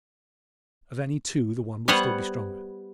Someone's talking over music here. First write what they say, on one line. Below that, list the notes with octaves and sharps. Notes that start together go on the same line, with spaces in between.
Of any two the one will still be stronger.
G3 B3 C5 C#5 F#5